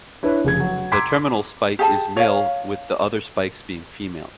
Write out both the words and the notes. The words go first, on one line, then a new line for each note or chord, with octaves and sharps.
The terminal spike is male with the other spikes being female.
D4 E4 B4 C#5
F1 C#3 G#6
F#3
A#5 C6 D6 E6 G#6 B6
G4 G#4 G#5 A5
C#5 F5